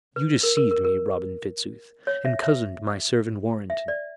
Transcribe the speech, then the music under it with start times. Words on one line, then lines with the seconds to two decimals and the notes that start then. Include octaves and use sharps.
You deceived me, Robin Fitzooth, and cozened my servant Warrenton.
0.16 B4
0.43 A#4
0.57 A#4
0.71 A#4
0.85 A#4
2.07 C#5
2.25 E5
2.43 E5
3.70 E5
3.88 D5